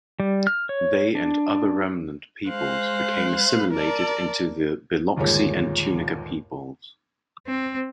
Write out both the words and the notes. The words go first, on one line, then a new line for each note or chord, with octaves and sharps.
They and other remnant peoples became assimilated into the Biloxi and Tunica peoples.
G3
F6
C#5
D4
G#3 C5 F5 F#6
A#4 D5 A5
G1 D#2 A#2 G#3 C#5
C4